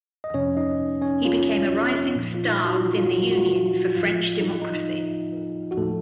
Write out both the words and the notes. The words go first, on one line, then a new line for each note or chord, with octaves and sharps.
He became a rising star within the Union for French Democracy.
D#5
F2 C3 F3 C#4 C#5
D#4 D#5
C#4 C#5
F4
A#2 F3
F4
D#4
F#4
F4
F4
F#3 F#4
F#4
F4
A2 F3 F4
D#4
D#4
F#4
A2 F3 A3 A4